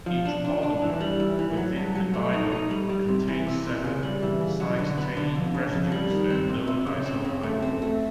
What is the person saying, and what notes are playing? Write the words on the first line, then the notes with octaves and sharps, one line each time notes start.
Each monomer within the dimer contains seven cysteine residues and no disulphide bonds.
F3
D4
D4
D4
E3
G3
E3
E3
F#3
G2
F#3
A3
D#4
D#4
G3
G3
C3
E3
C3
C3
C#3
G3
E3
C#3
F#3
D3
B3
D3
F2
C#3
F2
G3
D#3
C4
C3
C3
C#3
C4
C#3
A3
C4
A3